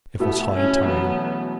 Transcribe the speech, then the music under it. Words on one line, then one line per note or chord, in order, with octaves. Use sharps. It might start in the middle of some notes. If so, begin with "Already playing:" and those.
It was high time.
B2 A3 B3 E4 A4
C#4
E2 B2 F#3 A3 B3